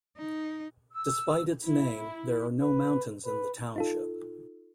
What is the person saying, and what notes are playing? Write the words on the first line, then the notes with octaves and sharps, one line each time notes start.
Despite its name, there are no mountains in the township.
D#4
E6
E4
B4
B4
D#4 F4 A4